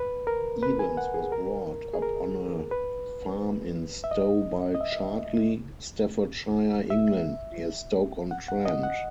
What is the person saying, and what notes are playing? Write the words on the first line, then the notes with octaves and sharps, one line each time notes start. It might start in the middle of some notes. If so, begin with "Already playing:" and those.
Evans was brought up on a farm in Stowe-by-Chartley, Staffordshire, England, near Stoke-on-Trent.
Already playing: B4
A#4
B4
G#5
F#5
G#4
A#4
G#4
A#4
B4
E5
D#5
D#5
E5
E5
F#5
F#5
D#5
F#5